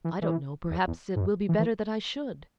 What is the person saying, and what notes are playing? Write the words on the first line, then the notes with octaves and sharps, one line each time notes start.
"I don't know; perhaps it will be better that I should."
E3
E3
E2
E2
G#2
F#2
E3
E3